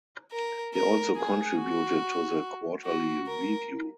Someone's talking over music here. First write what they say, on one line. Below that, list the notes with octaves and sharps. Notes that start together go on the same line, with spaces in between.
He also contributed to the "Quarterly Review".
A#4
A#4
G#4
F#4
F#4
A#4